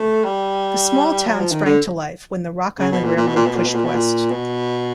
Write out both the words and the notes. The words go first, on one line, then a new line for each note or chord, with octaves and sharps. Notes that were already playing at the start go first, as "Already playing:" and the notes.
The small town sprang to life when the Rock Island Railroad pushed west.
Already playing: A3
G3
F#3
F3
D#3
D3
C#3
B2
A#2
A#2
B2
A#2
B2
A#2
B2
A#2
B2
A#2
B2